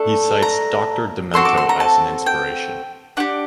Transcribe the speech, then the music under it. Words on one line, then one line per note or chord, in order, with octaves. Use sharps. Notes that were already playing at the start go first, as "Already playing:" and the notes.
He cites Doctor Demento as an inspiration.
Already playing: A3 D4 A4
A#5
C4 F#4 A4 C6
D6
C6
A#5
A5
G5
D4 G4 F#5